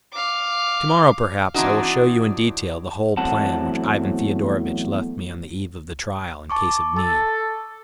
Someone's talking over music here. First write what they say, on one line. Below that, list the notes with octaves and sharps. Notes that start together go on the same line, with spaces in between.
To-morrow perhaps I will show you in detail the whole plan which Ivan Fyodorovitch left me on the eve of the trial in case of need....
F5 D6
E3 C4 D4 D#4 F#4
E2 A2 F#3 C4 F#5 A5
A5 C#6 D6
A4 A5